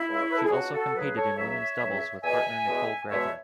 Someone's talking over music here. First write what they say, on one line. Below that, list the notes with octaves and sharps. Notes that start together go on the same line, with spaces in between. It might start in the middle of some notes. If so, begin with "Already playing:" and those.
She also competed in women's doubles with partner Nicole Grether.
Already playing: E4
C#2 C#3 G#3
C#5
B4
A4
G#4
C#2 C#3 F#3 D4 F#4
F#4 A4
C#2 C#3 F#3 G#4 B4
A4 C#5
C#2 C#3 F#3 C#5 E5
C#2 C#3 F#3
E2 B2 G#3 E5 G#5
E2 B2 G#3
E2 B2 G#3 C#5 E5